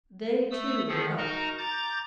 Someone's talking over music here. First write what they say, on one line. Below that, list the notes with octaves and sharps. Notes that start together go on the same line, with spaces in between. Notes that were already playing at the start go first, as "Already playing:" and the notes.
They, too, were up.
A3 D#6 E6
D#3 F3 G#4 A4
D#4 F#4 A#4 D#5 A#5
A#5 D6 G6 A6